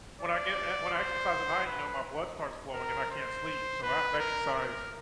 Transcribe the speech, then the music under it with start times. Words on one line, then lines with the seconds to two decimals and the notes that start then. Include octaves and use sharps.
When I get uh, when I exercise at night, you know, my blood starts flowing and I can't sleep, so, I have to exercise
0.21 D5
0.94 C5
1.66 B4
2.74 A#4
3.11 C5
3.83 B4
4.19 A#4
4.54 A#4